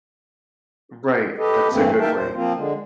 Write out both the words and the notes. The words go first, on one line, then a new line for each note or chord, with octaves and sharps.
Right, that's a good way.
G4 A4 B4 D#5
G2 E3 A3 A#3 C4
A#3 D#4 A#4 E5 G5 A5
E2 A#2 C5
F3 A#3 C4 F4
D3 G#3